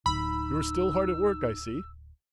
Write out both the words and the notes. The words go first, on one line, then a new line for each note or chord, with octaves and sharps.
"You are still hard at work, I see?"
D1 D#4 B5 E6